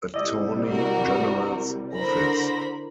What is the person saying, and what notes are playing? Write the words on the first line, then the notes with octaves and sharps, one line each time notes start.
Attorney General's office.
C3 G3 E4 D5 D#5
F#4 A#4
D3 A#4 C5 B5 A#6